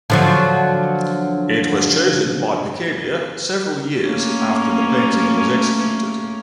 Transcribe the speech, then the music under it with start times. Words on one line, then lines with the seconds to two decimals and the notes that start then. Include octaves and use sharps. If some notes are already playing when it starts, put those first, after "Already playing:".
It was chosen by Picabia several years after the painting was executed.
0.10 D3 F3 F#3
4.02 A3 A#3 C#4